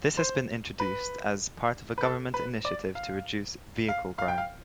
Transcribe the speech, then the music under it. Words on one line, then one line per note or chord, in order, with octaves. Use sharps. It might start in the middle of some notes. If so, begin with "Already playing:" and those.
This has been introduced as part of a government initiative to reduce vehicle crime.
C5
B4
B4
A4
B4
D5
F5
F5
F5
G5
F5